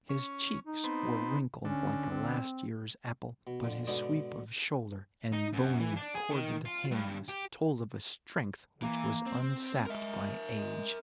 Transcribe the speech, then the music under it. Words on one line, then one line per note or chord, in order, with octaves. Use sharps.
His cheeks were wrinkled like a last year's apple, but his sweep of shoulder, and bony, corded hands, told of a strength which was unsapped by age.
C#4
D#4
B3 C4
D2 D3 C#4
C4
B2
F2 D3
G#2 B2 D3 B3 D4 D#4
D#4
F#2
E3
D4
G#4
D#3
F4
G2
G4
E3 A#3
C4
G#3 A#4 E5
G#3